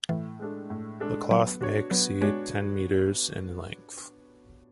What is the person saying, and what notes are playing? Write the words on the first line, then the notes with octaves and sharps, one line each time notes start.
The cloth may exceed ten meters in length.
A2 E3
G#3 D4 A4
A2
G#3 D4 A4
F#3 B3
D4 F#4 C#5
F#3 B3
G#3 D4 F#4 C#5